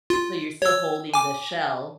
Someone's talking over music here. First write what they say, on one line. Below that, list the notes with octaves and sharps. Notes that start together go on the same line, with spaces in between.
So, you're still holding the shell,
F4
C#5 E6
G#5 D6